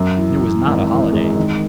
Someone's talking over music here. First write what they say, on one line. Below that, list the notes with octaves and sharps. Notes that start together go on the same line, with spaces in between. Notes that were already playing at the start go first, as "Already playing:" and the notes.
And it was not a holiday.
Already playing: F#2
E3
E3
G#1
E3
G#3
D#3